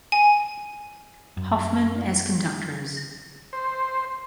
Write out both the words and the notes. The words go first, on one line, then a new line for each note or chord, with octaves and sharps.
Hoffmann as conductors.
G#5
F#2
C5